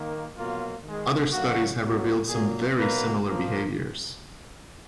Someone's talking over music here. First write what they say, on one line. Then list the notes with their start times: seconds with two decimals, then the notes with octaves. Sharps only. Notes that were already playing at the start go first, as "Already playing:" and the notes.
Other studies have revealed some very similar behaviors.
Already playing: D#3 A#3
0.36 B2 F#3 A#3 F4
0.84 D#3 G#3
1.32 C#3 F#3 A#3 F#4
1.80 B2 F#3 A#3
2.28 A#2 F#3 A#3 G#4
2.76 B2 F#3 A#3 B4
3.24 A#2 F3 A#3